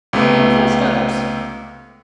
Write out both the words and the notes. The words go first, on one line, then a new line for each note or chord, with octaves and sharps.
He possessed others.
C#2 C3 A3 B3